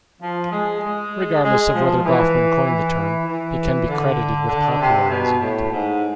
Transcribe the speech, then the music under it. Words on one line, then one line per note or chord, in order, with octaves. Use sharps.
Regardless of whether Goffman coined the term, he can be credited with popularizing it.
F3
G#3
G#3
G#3
F3
E3
E3
E3
D3
D3
C3
B2
A2
G#2